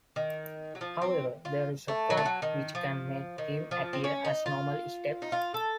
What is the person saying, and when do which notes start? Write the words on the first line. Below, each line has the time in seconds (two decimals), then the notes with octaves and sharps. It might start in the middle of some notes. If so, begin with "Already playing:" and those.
However, there is a code which can make them appear as normal steps.
0.16 D#3
0.75 F#3
0.81 F3
1.01 C4
1.45 F4
1.88 A3
2.10 F#3
2.17 A3
2.26 F#3
2.42 D#3
2.75 F3
3.38 D#3
3.71 F3
3.93 C4
4.04 C#4
4.25 D#4
4.46 F4
5.22 D#4
5.32 F4
5.54 A4